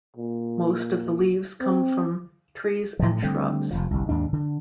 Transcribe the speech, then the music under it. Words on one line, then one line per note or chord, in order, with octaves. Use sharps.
Most of the leaves come from trees and shrubs.
A#2
C4
A2 F3
D3 G3 A3 C4
F1 C2 F3
G1 C2
D#2 G#2 D4
D3